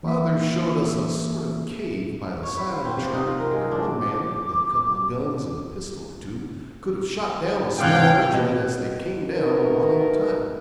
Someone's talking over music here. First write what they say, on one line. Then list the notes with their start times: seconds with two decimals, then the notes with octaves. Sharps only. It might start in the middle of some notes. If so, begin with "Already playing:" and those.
Father showed us a sort of cave by the side of the track, where one man, with a couple of guns and a pistol or two, could have shot down a small regiment as they came down one at a time.
0.03 E3 A#3 E5
2.43 C#5
2.57 E4
2.70 F4
2.85 C4
2.97 C3
3.13 D#4
3.27 F4
3.40 A#4
3.51 G#3
3.71 D4
3.99 D6
7.79 G#2 C3 E3 F5 G5
8.34 B2
9.28 A3 B3 D#4 F#4 A#4